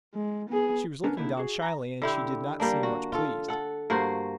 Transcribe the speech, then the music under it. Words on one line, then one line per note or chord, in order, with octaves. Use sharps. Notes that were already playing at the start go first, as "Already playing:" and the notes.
She was looking down shyly and she did not seem much pleased.
G#3
B3 G#4
D3 B3 C#4 D4 A#4
D3 A#3 D#4 E4
F#4 G#4
A#5
D3 E4 G4
G3 A#3 D4
F#4
F4 A4
A4 F#5
G2 A#3 F#4 C5